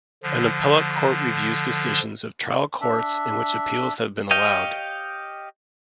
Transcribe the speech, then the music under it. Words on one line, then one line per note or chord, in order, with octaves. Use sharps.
An appellate court reviews decisions of trial courts in which appeals have been allowed.
D3 F3
D4 E5
G4 C#5 D#5 F5 G5